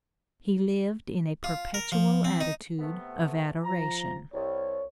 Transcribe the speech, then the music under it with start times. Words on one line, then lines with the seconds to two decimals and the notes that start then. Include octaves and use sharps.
He lived in a perpetual attitude of adoration.
1.44 F4
1.74 A#4
1.92 F3
2.24 C4
2.41 D#4
2.79 C3 A3 B3
3.63 F3 A#5
4.34 C2 C#5